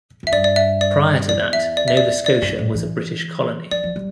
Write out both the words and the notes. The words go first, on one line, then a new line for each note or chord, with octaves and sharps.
Prior to that, Nova Scotia was a British colony.
F2 E5
G2 D5
D5
E5
D5
E2 D5
E5
D5
E5
D5
D5
G2
A2
E3
F3 D5
F3
G3